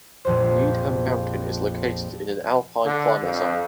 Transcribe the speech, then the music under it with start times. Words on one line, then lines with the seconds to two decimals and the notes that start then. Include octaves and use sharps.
Needham Mountain is located in an alpine climate zone.
0.25 A#1 F2 C5
2.86 D3
3.22 F2